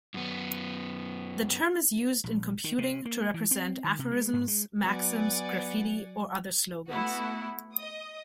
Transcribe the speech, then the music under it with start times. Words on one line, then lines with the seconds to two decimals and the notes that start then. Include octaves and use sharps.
The term is used in computing to represent aphorisms, maxims, graffiti or other slogans.
0.14 F#2 B3
2.24 A#1
2.64 D#3
2.78 C3
3.05 A#3
3.34 E3
3.51 C4
3.84 D#3
3.99 C3
4.11 G#3
4.33 G#2
4.48 G#3
4.84 F#3 B3 D5 F#5 G#5
6.88 A3 B3 E4 F#4 F#5
7.74 D#5 D#6